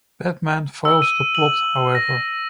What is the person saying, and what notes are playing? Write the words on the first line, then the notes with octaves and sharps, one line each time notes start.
Batman foils the plot, however.
E6
D#7
F#7
A#6